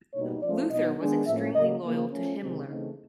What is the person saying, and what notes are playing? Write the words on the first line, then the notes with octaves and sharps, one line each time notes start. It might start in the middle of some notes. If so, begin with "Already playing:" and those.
Luther was extremely loyal to Himmler.
B2 G3 A#3 D#4 C#5
F3 A3 C#4 D5
B2 F#3 B3 D#4 D#5
D#3 G#3 B3 D4
A2 F3 A#3 C#4 E5
C#3 F#3 A#3 D#5
C#3 F3 A#3
F3 A3 C#4
C3 D#3 G#3 C4
C#3 E3 A3 C4 D#4